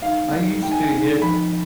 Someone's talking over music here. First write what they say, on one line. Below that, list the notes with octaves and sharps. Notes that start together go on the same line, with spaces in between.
I used to hit
G#2 D#3 F5
G#2 D#3
G#2 D#3 G5
G#5
G#5
G#2 D#3
F2 D#3 B5